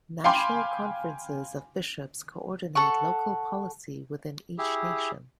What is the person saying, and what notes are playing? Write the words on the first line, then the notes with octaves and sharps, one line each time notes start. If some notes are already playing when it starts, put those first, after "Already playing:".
National Conferences of bishops co-ordinate local policy within each nation.
F5 G5 G#5 B5 C6 D6
A4 F#5 C#6
E4 G4 G#4